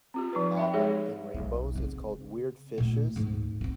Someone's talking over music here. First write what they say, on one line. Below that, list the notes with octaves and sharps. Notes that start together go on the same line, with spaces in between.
album In Rainbows, it's called Weird Fishes,
C4 F4 G4
F3 D#4 F4 B4
E5 G5 B5
G#3 D#4 G4 G#4 C#5 E5
B1
C#3 C4
A#2 A3
D2 G#2
B3 C4